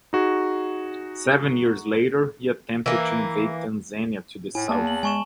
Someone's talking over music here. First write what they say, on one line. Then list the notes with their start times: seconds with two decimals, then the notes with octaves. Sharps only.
Seven years later he attempted to invade Tanzania to the south.
0.13 D#4 F#4 G#4
2.86 E3 A#3
4.55 A2 E4 G#5
4.69 E2 A#3 A5
4.87 F#7
5.03 G#3 G#5 C#6 E7